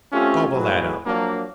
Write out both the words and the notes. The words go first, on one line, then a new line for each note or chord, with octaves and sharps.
"Gobble that up."
A3 C4 C#4 F4 G4
F2 A2 F#3 G#4 B4
F3 F#3 A#3 D4